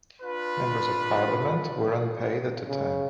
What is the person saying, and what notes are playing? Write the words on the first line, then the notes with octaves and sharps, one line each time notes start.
Members of parliament were unpaid at the time.
D4 F4 B4
C#3